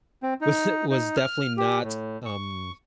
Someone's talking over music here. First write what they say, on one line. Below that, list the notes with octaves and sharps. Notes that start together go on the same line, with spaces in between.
was was definitely not, um,
C4
D#4
D#4
F6
G4
A2
C#6